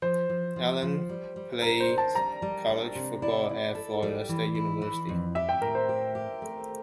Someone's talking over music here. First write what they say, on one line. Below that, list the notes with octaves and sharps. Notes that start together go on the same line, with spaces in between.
Allen played college football at Florida State University.
F3 C5
F3
F3
F3
G3
G3
D4 A#4
C5
D4
A5
G3 A#5
G3
D4
C3
E4 D5
E4
A4
G3
E3
E4
E3
F2
G4 E5
G5
A2 A#4
C5
G4
G4
A3